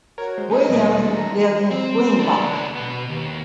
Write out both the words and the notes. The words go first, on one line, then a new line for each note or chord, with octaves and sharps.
Williams lives in Springbok.
F#4 A#4 C#5
G#3 C5
C#4 D#4 G#4 D#5
E2 B2 E3 G3 D4 G#5
A4 A#5
C4
C#2 D4
B2 B3
D#2